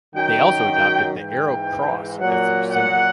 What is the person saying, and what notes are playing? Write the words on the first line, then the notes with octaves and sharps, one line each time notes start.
They also adopted the Arrow Cross as their symbol.
F#2 D#3 F#3 G5
G#2 E3 G5
A#2 F#3 F#5
F#5